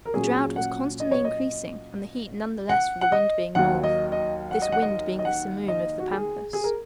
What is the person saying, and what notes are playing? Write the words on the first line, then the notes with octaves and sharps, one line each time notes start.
The drought was constantly increasing, and the heat none the less for the wind being north, this wind being the simoom of the Pampas.
A#4
A#2 F#3 C#4 G#4
F#5
D#5
C#5
D#5
F#5
F#5
D#5
D#2 D#3 F#3 F#5
D#5
D#5
F#5
D#5
F#5
D#5
D#5
F#5
D#5
F#4
G#4
G#4
A#4